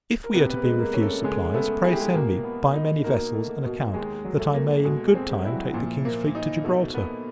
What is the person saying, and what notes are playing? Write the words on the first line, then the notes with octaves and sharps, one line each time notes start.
If we are to be refused supplies, pray send me, by many vessels, an account, that I may in good time take the King's fleet to Gibraltar.
A#4
C3 B3 B4
B4
A#3 A#4
G#3
A#3 A#4
C#4
A3 A4
C#3 G#3 G#4
A3 B3 A4
E4 G#4
G4
G#3 G#4
B2 A#3 A#4
B3
D#4
B2 A#3 A#4
A3
B2
D#2 G#3 G#4
F#3
A3 A4
A#3
B2 G#3 G#4
G#3 G#4
C4
G3 G4
E4
F#3 F#4
A#2 F3 F4
A#3
D#4
B2 A3 A4
A#3 B3 A#4